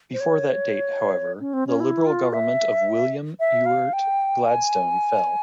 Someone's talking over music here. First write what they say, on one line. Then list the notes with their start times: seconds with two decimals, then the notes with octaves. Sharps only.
Before that date, however, the Liberal Government of William Ewart Gladstone fell.
0.13 C5
0.20 C#5
1.40 C#4
1.53 C4
1.67 C#4
1.80 E4
2.07 F4
2.33 E5
3.40 E5
3.66 F5
3.93 G5
4.46 G#5